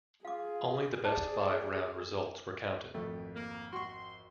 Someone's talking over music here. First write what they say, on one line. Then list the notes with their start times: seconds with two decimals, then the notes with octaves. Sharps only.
Only the best five round results were counted.
0.25 F4 G#4 F5 D6
1.04 D4 G4 A5
2.94 G#1 F2 A3
3.36 A#3
3.73 F#4 C6 C#6